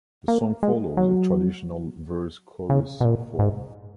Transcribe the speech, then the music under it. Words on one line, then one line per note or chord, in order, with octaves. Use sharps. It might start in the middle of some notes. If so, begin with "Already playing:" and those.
The song follows a traditional verse-chorus form.
A#3
G#3
F#3
C#3
B2
A#2
G#2